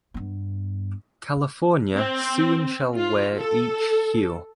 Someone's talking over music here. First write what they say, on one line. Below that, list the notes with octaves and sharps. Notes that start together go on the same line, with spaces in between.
California soon shall wear each hue.
G2 B3
C4
F4
A4